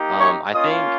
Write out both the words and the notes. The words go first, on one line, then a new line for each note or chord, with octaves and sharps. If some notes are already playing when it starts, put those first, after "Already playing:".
Um, I think
Already playing: A#3 D#4 G4
C#5 C#6
A#3 C#4 F4 D#5 D#6